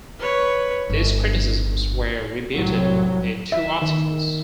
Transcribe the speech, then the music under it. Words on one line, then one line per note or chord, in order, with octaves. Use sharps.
These criticisms were rebutted in two articles.
B4 C#5
G1
C2 A2 F#3
E5
D#3